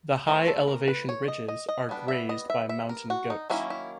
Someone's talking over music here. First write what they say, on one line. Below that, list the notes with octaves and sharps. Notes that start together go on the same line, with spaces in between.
The high elevation ridges are grazed by mountain goats.
E3 A3 C4 A4
A4
A#4
B4
C#5
D#5
D#5
D#5
G3 B3 D4
E5
D#5
E5
E5
A#4
F#4
D#4
D#3 F#3 A#3 C#4 E4
E4